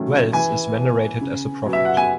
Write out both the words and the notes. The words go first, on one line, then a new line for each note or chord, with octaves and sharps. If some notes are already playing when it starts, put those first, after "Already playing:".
Wells is venerated as a prophet.
Already playing: D#3 F#3 A3 C#4
E3 G#5
B3
C#3
F#3 B3
E5
F#5
G#5